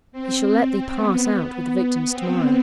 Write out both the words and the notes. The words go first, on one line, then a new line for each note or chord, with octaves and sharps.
He shall let thee pass out with the victims to-morrow.
C4
C4
B3
B3
C4